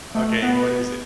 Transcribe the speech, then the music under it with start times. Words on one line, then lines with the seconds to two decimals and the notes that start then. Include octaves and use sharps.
Okay, and what is it?
0.15 A3
0.42 B3